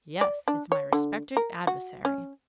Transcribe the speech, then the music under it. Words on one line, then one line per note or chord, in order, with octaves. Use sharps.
"Yes; it's my respected adversary."
D5
D4
C#5
D3
A#4
F#4
C#4